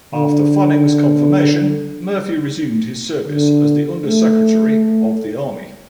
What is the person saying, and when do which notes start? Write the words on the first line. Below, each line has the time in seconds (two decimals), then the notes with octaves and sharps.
After Fanning's confirmation, Murphy resumed his service as the Under Secretary of the Army.
0.15 D3
3.28 D3
4.06 A3